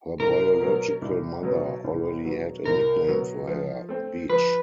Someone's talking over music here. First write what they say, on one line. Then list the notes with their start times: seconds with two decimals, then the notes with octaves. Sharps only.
Her biological mother already had a nickname for her, beach.
0.20 C2 A#4
0.60 B2 F#3
1.02 C2
1.43 B2 F#3
1.84 C2
2.25 B2 F#3
2.65 C2 A#4
3.07 B2 F#3
3.47 F3
3.89 A3 C4
4.30 F3 B4